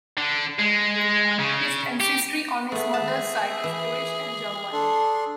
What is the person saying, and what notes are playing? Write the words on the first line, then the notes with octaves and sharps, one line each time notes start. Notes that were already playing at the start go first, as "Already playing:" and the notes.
His ancestry on his mother's side is Irish and German.
D3
G#3
C#3
G4
A3 B3 G#4 E5
A5
E3
D4 A4 C6